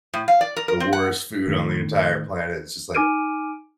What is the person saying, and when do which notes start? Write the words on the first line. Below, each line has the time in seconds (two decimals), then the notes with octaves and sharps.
the worst food on the entire planet, it's just like,
0.14 A2
0.28 F5
0.41 D5
0.56 A#4
0.68 A#4
0.80 C4
0.93 F#5
1.47 A2 D#3
2.94 D#4 G#5 D6 F6 D7 D#7